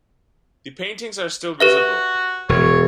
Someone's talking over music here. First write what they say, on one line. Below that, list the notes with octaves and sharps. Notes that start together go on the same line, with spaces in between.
The paintings are still visible.
F#4 G4 B4 E5
E1 C#5